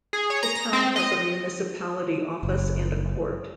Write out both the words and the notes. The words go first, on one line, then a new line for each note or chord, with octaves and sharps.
The town has a municipality office and a court.
G#4
C#5
A#5
A#6
C4
D#5
F#1